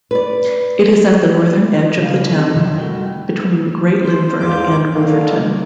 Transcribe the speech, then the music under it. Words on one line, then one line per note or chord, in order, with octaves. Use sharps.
It is at the northern edge of the town, between Great Linford and Wolverton.
B4 D5
C#3 D4 E4 A4 D5 F5
C4 G#4 A4 D#5
F#2 C3 F3 D#4 E4
G3 A3 E4 F#4 A#4 G5
C5
E2 G#2 F4 D6 G6
D3 D#3 A#3